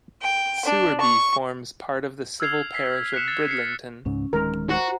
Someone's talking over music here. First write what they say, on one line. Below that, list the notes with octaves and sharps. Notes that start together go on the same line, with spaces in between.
Sewerby forms part of the civil parish of Bridlington.
G5
D4
C#6
E6 F6 G#6 C7 F7
B6 C7
F#6 B6 C#7 E7
A6
C7 C#7
C#2 G#2 C#3 C#4
D1 D#3 G#3 A#4
F#4 C5 F#5 A#5